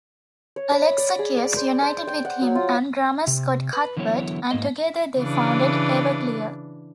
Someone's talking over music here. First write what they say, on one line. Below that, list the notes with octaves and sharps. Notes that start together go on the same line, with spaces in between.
Alexakis united with him and drummer Scott Cuthbert, and together they founded Everclear.
C#5
B5
D5
G#4
D5
C5
C5
G5
F#5
F#3
F4
C3
B4
D3 E3 F#3 B3 E4 C#5
G#2 A#3 D#5
C#3 E3 D4